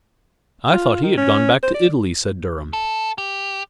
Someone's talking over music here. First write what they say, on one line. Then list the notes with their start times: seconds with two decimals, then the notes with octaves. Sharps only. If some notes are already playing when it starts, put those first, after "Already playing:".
"I thought he had gone back to Italy," said Durham.
0.72 F4
1.03 D#3
1.18 C#4
1.63 C5
1.74 D5
2.73 A4
3.18 G4